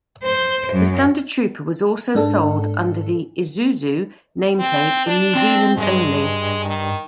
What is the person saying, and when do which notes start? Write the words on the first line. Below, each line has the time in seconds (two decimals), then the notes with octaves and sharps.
The standard Trooper was also sold under the Isuzu nameplate in New Zealand only.
0.24 C5
0.73 F#2
2.15 G#2 D4 A4
4.59 C4
5.07 D4
5.35 C4 C5 G5
5.78 G2 G#3
6.65 D#3